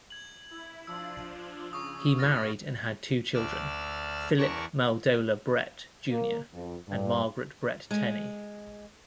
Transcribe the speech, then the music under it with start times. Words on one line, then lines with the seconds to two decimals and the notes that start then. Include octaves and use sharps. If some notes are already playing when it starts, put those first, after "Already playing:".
He married and had two children: Philip Milledoler Brett, Junior and Margaret Brett Tenney.
0.10 G#6 F#7
0.51 E4
0.87 F3 D4 F4 E6
1.73 C#3 C#6 D#6
2.18 G2 E4 F#4 F6 A6 A#6
3.34 D2 D5 E6 F6
4.38 E2 A#4 D5 A5 C#6
6.09 A#3
6.53 F2
6.88 G2
7.91 G#3